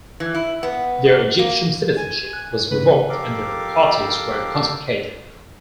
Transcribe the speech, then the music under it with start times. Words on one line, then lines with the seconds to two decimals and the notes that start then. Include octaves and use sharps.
Their Egyptian citizenship was revoked and their properties were confiscated.
0.20 E3
0.35 E4
0.63 B3
1.39 A#3
1.97 G#5
2.33 F#6
2.71 C#3 B4
3.09 F2 G4 A4 A#4 F5 D6